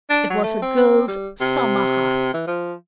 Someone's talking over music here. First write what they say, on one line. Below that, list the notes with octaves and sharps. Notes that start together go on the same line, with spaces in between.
It was a girl's summer hat.
D4
F#3
A3
C4
G3
C3
E3
F3